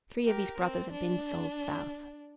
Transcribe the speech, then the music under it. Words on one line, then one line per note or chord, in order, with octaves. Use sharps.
Three of his brothers had been sold South.
G4 A#4
C4
D4